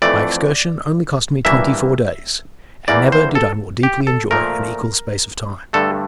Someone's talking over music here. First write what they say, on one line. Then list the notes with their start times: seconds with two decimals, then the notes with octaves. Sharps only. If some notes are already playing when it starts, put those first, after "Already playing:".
My excursion only cost me twenty-four days, and never did I more deeply enjoy an equal space of time.
0.02 F2 E3 A3 D5
1.45 G2 E3 A#3 E5
2.88 E2 E3 A#3 D5
3.12 C5
3.35 A4
3.83 G4
4.07 A4
4.31 A#2 F3 A3 A#4
5.73 G2 D3 A3 A4